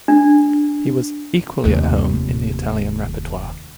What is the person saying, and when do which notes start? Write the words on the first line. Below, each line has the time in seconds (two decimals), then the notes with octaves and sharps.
He was equally at home in the Italian repertoire.
0.08 D4
1.64 F1 D#2